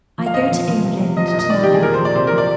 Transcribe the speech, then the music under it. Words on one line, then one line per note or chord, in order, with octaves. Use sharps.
"I go to England to-night."
F3
F5
A#2 D#5
F5
F3
F3
C3
C3
F3 D#5
D#5
A#2
D#5
D#3 D5
C3 G4
G#4
A#2 A#4
C5
F3
D5
C3 C5
A#4
F3
D5